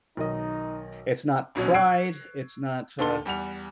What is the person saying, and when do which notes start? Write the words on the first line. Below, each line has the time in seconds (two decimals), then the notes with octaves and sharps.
it's not pride, it's not, uh
0.17 B1 D#3 D#4 D#5
1.55 A#1 B2 F#3 C#4
1.74 C#6 E6 F#6 G#6 C7 D7
2.99 D#2 D3 A4 C6 G7
3.25 E2 G3 F#5 F7